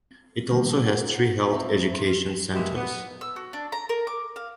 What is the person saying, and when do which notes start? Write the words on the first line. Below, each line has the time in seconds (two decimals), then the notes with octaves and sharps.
It also has three health education centers.
0.49 A#2 D3 D#3 F3 G3 A#3
0.86 F4 G4 G#4 A#4 F#5
1.53 C4 F4 B4 C5 E5
2.53 B2 G#3 A#3 G4 E5
2.75 B3
3.21 E6
3.36 F#4
3.53 D4
3.72 A#5
3.89 A#4
4.07 D6
4.36 F5